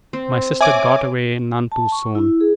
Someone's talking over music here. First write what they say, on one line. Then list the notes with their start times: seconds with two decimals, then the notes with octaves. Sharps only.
My sister got away none too soon.
0.13 C4
0.61 C#5 E5 G#5 D6
1.72 A5
1.92 C#6
2.15 E4
2.41 G#4